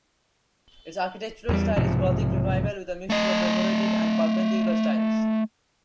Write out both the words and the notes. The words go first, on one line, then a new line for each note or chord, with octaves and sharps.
Its architectural style is Gothic Revival, with a mixture of Decorated and Perpendicular styles.
E2 F#3 G3
B1 G#2 C3 F3
A3 D#5